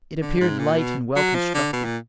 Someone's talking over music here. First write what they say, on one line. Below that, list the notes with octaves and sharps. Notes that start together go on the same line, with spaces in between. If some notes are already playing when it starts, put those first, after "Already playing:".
"It appeared light and well constructed."
D3
G#2
A#2
B2
F#3
F3
D3
B2
A#2